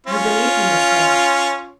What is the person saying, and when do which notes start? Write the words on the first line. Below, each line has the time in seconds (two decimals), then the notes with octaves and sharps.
You believe me, Miss Hale?'
0.06 C#4 F4